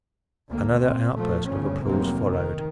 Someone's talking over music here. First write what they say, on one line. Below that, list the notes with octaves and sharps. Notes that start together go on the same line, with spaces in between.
Another outburst of applause followed.
D2 A#3
A#2 C4
A#2 F3 A3
G1 D2 G2 C#3 F3 C#4
F1 C3 F#3 A#3 C4
D#3